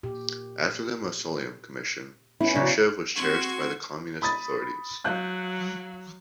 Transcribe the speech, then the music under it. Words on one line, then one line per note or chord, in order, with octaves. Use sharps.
After the mausoleum commission, Shchusev was cherished by the Communist authorities.
A#2 G4
F#3 B3 C#4 E4
C#3 F#3 E4 C#5 D5
C4 F#4 C6 C#6 G#6
B5 D#6 A6
F#3 F5 F#6 G6